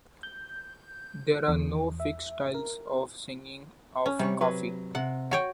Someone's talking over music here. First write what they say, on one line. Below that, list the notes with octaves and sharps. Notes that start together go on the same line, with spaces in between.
There are no fixed styles of singing of Kafi.
G6
E2
E5
A#4
C#4
C3 G3 C#5
F#3 B4 C#5
C3 F#5
F#4 C#5 G5